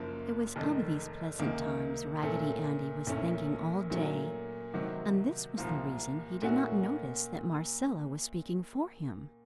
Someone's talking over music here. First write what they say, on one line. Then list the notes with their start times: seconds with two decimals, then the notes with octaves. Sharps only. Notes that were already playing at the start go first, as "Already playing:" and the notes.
It was of these pleasant times Raggedy Andy was thinking all day, and this was the reason he did not notice that Marcella was speaking for him.
Already playing: F#1 F#2 F3 A#3
0.56 F1 F2 D#3
1.39 C#2 C3 D#3 A#3
2.22 A#2 A3 C#4 A4
3.07 A#1 A#2 A3 C#4
3.90 A#2 F#3 A3 C#4
4.74 C3 D#3 F#3 C4 F#4
5.57 C2 A#2 F3 A#3 F4
6.42 A#2 A3 C#4 F#4